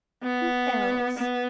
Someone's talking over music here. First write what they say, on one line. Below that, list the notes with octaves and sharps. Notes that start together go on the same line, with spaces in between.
Who else?
B3
B3